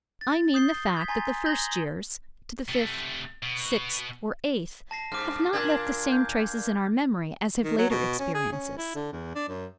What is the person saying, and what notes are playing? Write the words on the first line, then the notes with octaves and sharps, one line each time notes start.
I mean the fact that the first years, to the fifth, sixth or eighth, have not left the same traces in our memory as have later experiences.
A6
D#6 G6 C7 G7
A6
G#6 B6
G#5 A#5 C6 G#6 A6
A#5 G6 G#6 A#6 F#7 G7
C3 A3
B2
A5 A#6 C7
G2 D6 F6
A#2 D4 G#6
G6
D#3
F#3
B2
C#4
G#4
C#4
E4
D3
E2
D4
F#2